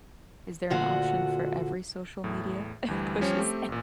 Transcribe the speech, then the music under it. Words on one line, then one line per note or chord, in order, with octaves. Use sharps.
is there an option for every social media pushes
D2 A#2 D3 F4 F#4 F#5
E2 A2
D2 E3 G3
F3 G3 C#4 C#5
A3 C4 G4
A1 A#2